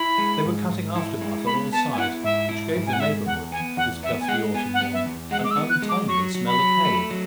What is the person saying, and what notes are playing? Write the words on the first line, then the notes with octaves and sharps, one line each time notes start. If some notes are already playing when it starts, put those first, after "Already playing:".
They were cutting aftermath on all sides, which gave the neighbourhood, this gusty autumn morning, an untimely smell of hay.
Already playing: E4 B5
G#3
G#2
G#2
E4
G#3
B3 B5
B3 A5
G#5
E4 F#5
G#2 E5
E4
G#2
G#5
F#5
G#3 E5
E2 F#5
B3 G#5
E2 F#5
B3 E5
G#5
G#3 F#5
B3 G#5
F#5
B3
E5
E2
G#3 F#5
D6
E6
B3
F#6
G#3
D6
F#3 C#6
F#3
B5
F#3
A3
F#3